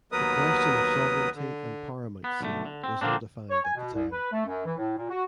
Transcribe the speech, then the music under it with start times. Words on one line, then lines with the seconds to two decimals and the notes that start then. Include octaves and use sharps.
The question of sovereignty and paramountcy was undefined at the time.
0.12 D#2 F#3 B3 A#4 B4 D#6
1.35 D3
2.24 B3
2.41 B1 D3 A3
2.65 D3
2.84 C4
3.01 D3 F3 A#3 C4 D4
3.50 C#5
3.65 G#5
3.76 B2
3.93 C2
4.12 B4
4.32 A3
4.47 F#2
4.65 E3
4.77 A2
4.97 A#2
5.10 F#4